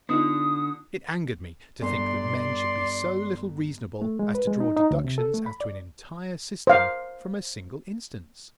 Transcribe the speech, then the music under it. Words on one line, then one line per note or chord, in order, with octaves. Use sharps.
It angered me to think that men should be so little reasonable as to draw deductions as to an entire system from a single instance.
D3 B3 D#4 F4 D#6
G1 D5 C6
A3
G#3
B4
G#3
D#4
D#4
D2
C3
A4
A3
B5
D5
C5 F5